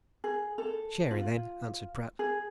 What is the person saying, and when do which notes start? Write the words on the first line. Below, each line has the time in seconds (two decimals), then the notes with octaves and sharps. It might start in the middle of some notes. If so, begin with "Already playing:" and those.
"Sherry, then," answered Pratt.
0.24 G#4
0.58 A4
1.11 F4
2.19 G#4